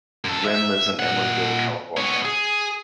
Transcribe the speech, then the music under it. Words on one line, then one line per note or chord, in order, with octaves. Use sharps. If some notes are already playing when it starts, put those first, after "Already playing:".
Glenn lives in Emeryville, California.
F#2 A4
E5
A#2 F#5
B3 C#5
G#4